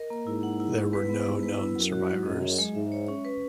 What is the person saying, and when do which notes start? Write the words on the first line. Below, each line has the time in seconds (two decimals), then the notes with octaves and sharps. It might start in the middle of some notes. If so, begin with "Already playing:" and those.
There were no known survivors.
Already playing: A#4 D#5
0.10 A#3
0.27 G#2 E4
0.43 F#5
0.60 E4
0.77 B3
0.93 B4
1.10 B3
1.26 G#2 E4
1.43 B4
1.59 E4
1.76 F#2 F#3
1.92 F#4
2.09 F#3
2.25 F#2 D#5
2.42 G#4
2.59 G#3
2.75 G#2 E5
2.92 C#5
3.08 C#4
3.25 B4